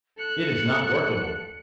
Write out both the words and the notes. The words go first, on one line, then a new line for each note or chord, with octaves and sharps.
It is not workable.
A4 F#6 C#7